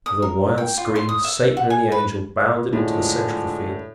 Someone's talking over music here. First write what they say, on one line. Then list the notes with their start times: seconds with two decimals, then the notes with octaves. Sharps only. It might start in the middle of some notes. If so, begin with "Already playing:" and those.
With a wild scream Satan and the Angel bounded into the center of the field.
0.06 D#6
0.22 A#4
0.58 G5
0.77 F4
0.96 C6
1.09 D#6
1.24 E5
1.57 F#5
1.70 G#5
1.92 B4
2.73 A2 D3 F3 G#3